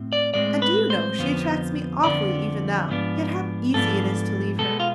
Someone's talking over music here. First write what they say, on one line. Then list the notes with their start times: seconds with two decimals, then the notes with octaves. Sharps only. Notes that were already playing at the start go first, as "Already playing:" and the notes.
And do you know she attracts me awfully even now, yet how easy it is to leave her.
Already playing: A2 C4
0.13 D5
0.34 A2 G#3 C4 D5
0.62 B4
0.90 C5
1.19 F2 D3 F3 B3
2.04 F2 D3 F3 B3 D5
2.89 G#2 F3 B3 D4
3.74 G#2 F3 B3 D4 A4
4.59 B2 G#3 B3 A4
4.80 F4